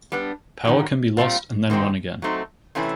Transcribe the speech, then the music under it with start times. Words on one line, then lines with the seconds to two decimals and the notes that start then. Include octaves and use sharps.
Power can be lost and then won again.
0.12 G3 B3 D4
0.65 G2 D#3 F#3
1.17 A#2 G3 C4 F4
1.70 F#2 D#3 G#3 C4 D#4
2.22 F#3 A3 C4 D#4
2.75 C3 E3 A3 C#4 E4